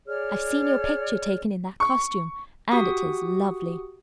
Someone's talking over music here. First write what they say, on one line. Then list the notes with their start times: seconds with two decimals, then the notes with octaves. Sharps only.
"I've seen your picture taken in that costume, and it is lovely."
0.06 G#4 C#5 D5 F6
1.80 C#6
2.72 F#4 G4 F#5 D#6